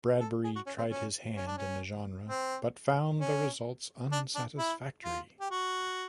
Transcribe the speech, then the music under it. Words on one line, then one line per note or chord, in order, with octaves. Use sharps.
Bradbury tried his hand in the genre but found the results unsatisfactory.
A4
G#4
F#4
C#4
C4
C#4
C#4
D4
C#4
C4
C#4
D4
D4
E4
F4
G4
F#4